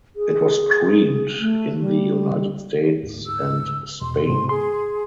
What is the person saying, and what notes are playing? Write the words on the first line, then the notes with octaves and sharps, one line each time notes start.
It was screened in the United States and Spain.
G#4
A3
G3
D2 G#2
E6
E2 B2 C6
G#2 C3 C6
G#4 C6